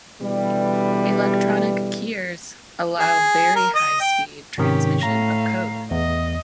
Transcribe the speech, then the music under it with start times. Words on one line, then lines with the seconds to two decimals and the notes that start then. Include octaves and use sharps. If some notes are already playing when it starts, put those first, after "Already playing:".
Electronic keyers allow very high speed transmission of code.
0.20 B2 D3 E3 G3
2.99 G#4
3.55 A#4
3.75 D#5
4.00 G5
4.58 G#2 C3 D#3 C#4 G4
5.02 A2 F5 A#5 A#6
5.91 E2 D#5